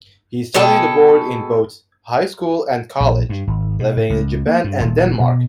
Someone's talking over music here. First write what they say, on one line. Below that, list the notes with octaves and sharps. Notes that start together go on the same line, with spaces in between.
He studied abroad in both high school and college, living in Japan and Denmark.
B2 G#4 A4 G5
A#1
G2
G#1
B2
A2
C#2
A#3
G2
D#1
B2